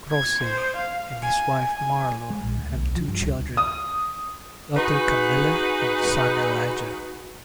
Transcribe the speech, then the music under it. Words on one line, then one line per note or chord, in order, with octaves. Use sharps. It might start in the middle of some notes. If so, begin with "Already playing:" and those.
Croce and his wife Marlo have two children, daughter Camille and son Elijah.
G#6
C5
F5
G#5
G#5
G#3
A#1
D2
B1
F3
G2
C#2
D#6
D#4 F#4 G#4 B4